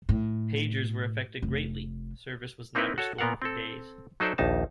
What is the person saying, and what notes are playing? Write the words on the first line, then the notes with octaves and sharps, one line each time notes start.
Pagers were affected greatly; service was not restored for days.
A2
F1
A#3 C4 D#4 E4 A#4 B4
F#4 A4 C#5
A#2 B3 A#4 F5 F#5
C4 A4
F#3 D#4 A4 C5 D5 E5
A#1 D#2 D#4 A5